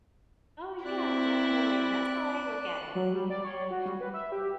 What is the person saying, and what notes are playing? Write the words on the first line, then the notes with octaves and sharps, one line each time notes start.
Oh yeah, definitely, and that's how I look at it, yeah, and
C4 E4 D5 F#6
F#3
G3
D5
C#5
F#4
G3
B4
E5
G4